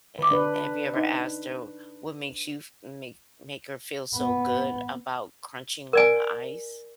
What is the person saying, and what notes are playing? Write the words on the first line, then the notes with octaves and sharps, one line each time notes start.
eh, have you ever asked her what makes you f make make her feel so good about crunching on the ice?
D3 D6
D4 B4
D#4 D#5
B3
A#4 D5 G#5